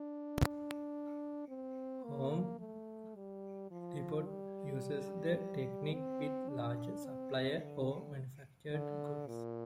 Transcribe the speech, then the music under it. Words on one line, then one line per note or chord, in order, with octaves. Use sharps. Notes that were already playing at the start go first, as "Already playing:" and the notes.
Home Depot uses the technique with larger suppliers of manufactured goods.
Already playing: D4
C4
A#3
A3
G3
F3
G3
C4
D4
C4
D3
D3
A#2